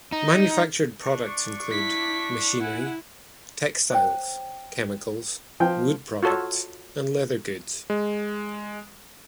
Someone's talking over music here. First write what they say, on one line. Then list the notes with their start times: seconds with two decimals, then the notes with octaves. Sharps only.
Manufactured products include: machinery, textiles, chemicals, wood products, and leather goods.
0.12 D#4
1.02 D4 C#6
1.70 E4 B6
2.60 E4 F#5 G#5
3.90 C5 C#5 G5
5.60 F3 G5
6.23 F4 F#4 A4 C#5
7.90 G#3